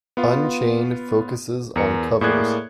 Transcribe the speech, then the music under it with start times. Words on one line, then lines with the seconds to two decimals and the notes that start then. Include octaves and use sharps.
"Unchained" focuses on covers.
0.17 B3 F4
1.76 E2 A#4 C#7
2.21 A2 A#3 G#4 D5 F#6 G#6